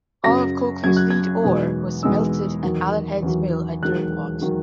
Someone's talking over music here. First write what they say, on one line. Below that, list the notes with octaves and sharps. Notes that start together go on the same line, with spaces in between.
All of Coalcleugh's lead ore was smelted at Allenheads Mill at Dirtpot.
F#2 C#3 F#3 A#6
F#2 C#3 F#3 G#6
F#6
G#6
E2 B2 G#3 B3 D#4
E2 B2 G#3 B3 D#4 E6
E2 D#3 F#3
E2 D#3 F#3
E1 D#2 D#3 F#3 F#6
D#3 F#3